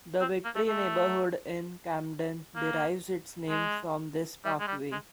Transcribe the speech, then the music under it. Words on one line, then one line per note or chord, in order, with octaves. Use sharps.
The Victory neighborhood in Camden derives its name from this parkway.
C4
A#3
A3
A3
A#3
G#3
G3
G#3
G3
G#3